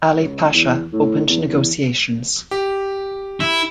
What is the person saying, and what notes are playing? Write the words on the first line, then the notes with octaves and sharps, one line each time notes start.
Ali Pasha opened negotiations.
C#2
E2
A2
E2
E2
G4
E4